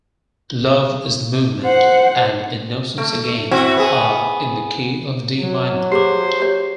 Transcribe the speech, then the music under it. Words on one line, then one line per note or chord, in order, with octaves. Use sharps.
"Love is the Movement" and "Innocence Again" are in the key of D minor.
C5 F#5
A3
C4 E4 F#4
B3 G#4
F#3
G4 G#4 C5 D6
G4 C#5